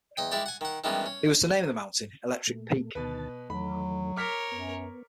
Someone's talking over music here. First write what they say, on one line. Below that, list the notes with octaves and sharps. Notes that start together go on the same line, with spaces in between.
He was to name the mountain Electric Peak.
E2 D#5 G5
G#3 E4 G4 D5
F#5 G#5
D#3 F#5
D#3 E3 G3 G#3 B3 C#4
C#4
A#2 A3
D2 B2 D#3 B4 A5
E2 D#3 F#3 A3 B5
A#4 C#5 D6 F6 B6
F#2 B3